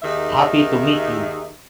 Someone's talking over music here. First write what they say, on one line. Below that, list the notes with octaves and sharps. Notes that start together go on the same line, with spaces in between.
Happy to meet you.
D#2 D#3 D#4 G#4 E5